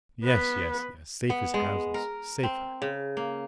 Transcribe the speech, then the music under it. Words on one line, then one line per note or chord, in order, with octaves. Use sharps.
"Yes, yes, yes; safe as houses--safer."
B3 B4
B3
G#3
A#4
C4
C#3
A#3